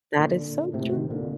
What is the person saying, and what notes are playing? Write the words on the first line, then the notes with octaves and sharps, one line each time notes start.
That is so true.
A#2 D3
A2 C3
C3 D#3
A#2 D3